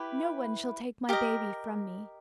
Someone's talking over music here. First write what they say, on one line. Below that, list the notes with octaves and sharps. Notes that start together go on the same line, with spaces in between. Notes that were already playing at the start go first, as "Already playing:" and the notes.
No one shall take my baby from me.'
Already playing: E4 G4 B4
G4 A#4 D#5